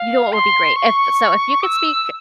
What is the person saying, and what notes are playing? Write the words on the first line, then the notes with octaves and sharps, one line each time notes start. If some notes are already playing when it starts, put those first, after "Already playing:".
you know what would be great? If so if you could speak
Already playing: F5
C6
C#6
E6